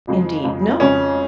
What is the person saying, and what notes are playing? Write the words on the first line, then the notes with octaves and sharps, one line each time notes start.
"Indeed no."
F2 C#3 G#3
F2 C#3 G#3
F2 C#3 G#3 C#4